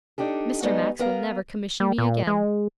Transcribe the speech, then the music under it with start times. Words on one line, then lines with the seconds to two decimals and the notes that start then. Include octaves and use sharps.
'Mr. Max will never commission me again.'
0.18 D4 D#4 G4 A4
0.62 G3 G#3 B3 D#4 F#4 A4
0.99 B3 A#4 F5
1.80 G3
1.98 A#2
2.27 G#3